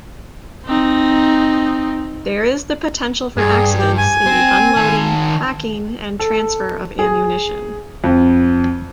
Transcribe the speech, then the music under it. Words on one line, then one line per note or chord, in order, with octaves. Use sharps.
There is the potential for accidents in the unloading, packing, and transfer of ammunition.
C4 D#4
G2 G#4
G4
G#5
C4
D#3 A5
A4
G#4
F2